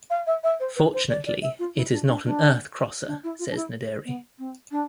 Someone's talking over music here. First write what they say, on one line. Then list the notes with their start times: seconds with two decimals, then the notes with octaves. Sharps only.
"Fortunately, it is not an Earth crosser," says Naderi.
0.10 F5
0.26 E5
0.43 E5
0.59 C5
0.75 B4
0.93 C5
1.09 D5
1.26 D5
1.42 E5
1.59 F4
1.75 E4
1.91 D4
2.07 D4
2.24 D4
3.06 D4
3.23 E4
3.39 F4
3.50 D4
3.56 E4
4.04 B3
4.38 C4
4.71 D4